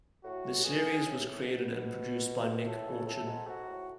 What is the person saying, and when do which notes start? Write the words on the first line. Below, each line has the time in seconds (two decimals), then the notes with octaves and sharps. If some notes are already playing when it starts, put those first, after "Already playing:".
The series was created and produced by Nick Orchard.
0.24 A2 F#4
0.64 B2 G#4
1.05 A2
1.42 C#3
1.45 B2
2.66 A2 A4
2.87 C#3
3.06 A2 A4
3.26 G#2
3.47 G#2 F#4
3.67 A2